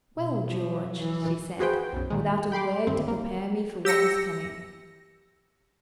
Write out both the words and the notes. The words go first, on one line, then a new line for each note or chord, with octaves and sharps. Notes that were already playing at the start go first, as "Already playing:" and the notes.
"Well, George?" she said, without a word to prepare me for what was coming.
B2
F3 F#3
E3
F#4 G#4 B4 C5 G5
B1 F#2
A#2 D#3 G#3
G5 B5 C6 D6
D2 G2 D#3 C4
A#3
G4 E6 A#6 C#7